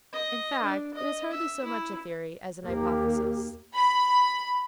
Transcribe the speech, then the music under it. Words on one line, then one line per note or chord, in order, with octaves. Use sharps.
"In fact, it's hardly so much a theory as an hypothesis."
D#5
D4
D#5
E5
E4
D#2 A#3 G4
B5